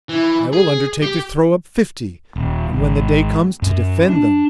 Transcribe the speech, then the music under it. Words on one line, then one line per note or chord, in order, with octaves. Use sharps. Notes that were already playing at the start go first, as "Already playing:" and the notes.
"I will undertake to throw up fifty, and when the day comes, to defend them."
E3
G#4
G4
D#1
G#1
F#2
D4